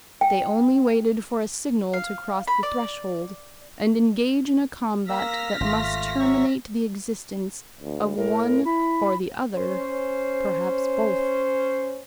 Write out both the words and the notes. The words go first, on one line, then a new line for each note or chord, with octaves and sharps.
They only waited for a signal to cross the threshold; and engage in a combat that must terminate the existence of one or the other--perhaps both.
G5
F5
B5
D5
A#3 E6 F6 A#6 B6
G#1 A3 F4
F#3 E5 C#6
D2
A2 A#4
E4 B5
C#4 C5